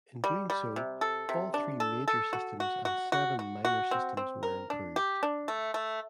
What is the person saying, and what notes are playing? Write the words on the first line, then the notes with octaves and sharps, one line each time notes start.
In doing so, all three major systems and seven minor systems were improved.
G3
G3
C3
A4
C3
D4
A4
A4
F#4
F#4
F#4
F#4
F#4
F#4
C4
C4
A#4
D4
G4
D4
A3
A3